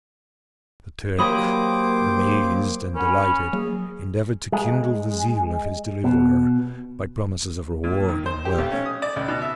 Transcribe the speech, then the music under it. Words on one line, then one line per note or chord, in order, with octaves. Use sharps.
The Turk, amazed and delighted, endeavoured to kindle the zeal of his deliverer by promises of reward and wealth.
F#3 A#3 G4 C5 B5 D6 D#6
C#4 A#4 F#5 B5
F#3 A#3 G#4 E6
G#3
B2
A#2
D#3
C5
G4
B1
C#4
D#6
D5
C#2
B2
E5